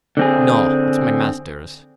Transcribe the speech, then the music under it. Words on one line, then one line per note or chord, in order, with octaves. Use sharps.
"No, it's my master's."
D3 C4 G#4